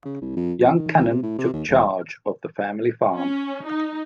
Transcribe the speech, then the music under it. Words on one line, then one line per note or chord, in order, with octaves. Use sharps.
Young Cannon took charge of the family farm.
C#3
C2
F2
F2
D#3
C2
C3
A2
C3
D#2
E1
C#4
D#4